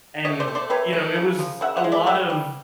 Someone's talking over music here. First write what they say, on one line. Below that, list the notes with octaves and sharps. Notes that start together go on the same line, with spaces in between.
and, you know, it was a lot of
A3 C#5 D#5
C5 D5
A3
C5 D5
C3 B4 C#5
A3
C#3
F3
C#3 E5 F#5
E5 F#5
G#3
D5 E5
G3 E5 F#5
G3